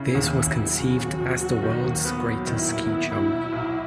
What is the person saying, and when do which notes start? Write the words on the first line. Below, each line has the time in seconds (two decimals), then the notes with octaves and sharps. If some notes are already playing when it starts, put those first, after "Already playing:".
This was conceived as "the world's greatest ski jump".
Already playing: C#3 E4
0.15 D#2
0.35 D#2
0.57 F#3
0.78 C#3 F#4
0.99 D#2
1.21 D#2
1.41 F#3
1.63 D#3
1.84 D#2
2.05 B3
2.26 F#3
2.47 D#3 E4
2.68 D#2
2.90 B3
3.11 F#3
3.32 B2
3.53 B1